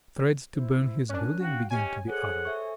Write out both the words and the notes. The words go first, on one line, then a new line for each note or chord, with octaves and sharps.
Threats to burn his building began to be uttered.
E4 C5
C#4 D4 A#4 G#5 F#6
F#4 F5 G5
C#4 G4 D#5 G#5
G#4 A4 C5 C#5 F#5
A4 E5 C#6